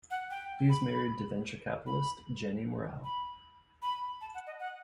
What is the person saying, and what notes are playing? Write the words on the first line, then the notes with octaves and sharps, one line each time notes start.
He is married to venture capitalist Jenny Morel.
F#5
G5
B5
B5
B5
B5
A5
F#5
D#5
F#5